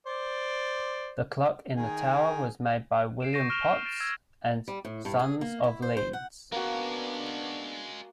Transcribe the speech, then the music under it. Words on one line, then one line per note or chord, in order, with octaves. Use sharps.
The clock in the tower was made by William Potts and Sons of Leeds.
C5 D5
D#3 G#4
C7 D7 E7
C#6 G6 A#6 D#7
C#6 F6 D7 E7 F7 G7
C7
A6 D7 E7
E6 G#6
G3
A2
G2
G#4
A#3
E4
C5
C5
F#5
G#3 A#3 B3 C#4 D4 F#4